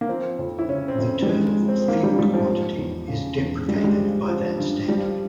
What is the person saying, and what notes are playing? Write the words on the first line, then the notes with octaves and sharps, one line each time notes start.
The term "field quantity" is deprecated by that standard.
A#3
F3 C4
F2
E4
C#3 C#4
C4
F2
G3
G#2 G#3
G#3
F3
C4
F3 A#3
G3
G#2 G3
F3
F3
E2
C#3
E2
G2 G3
G#3
G3
F3
F3
G2
F3 G3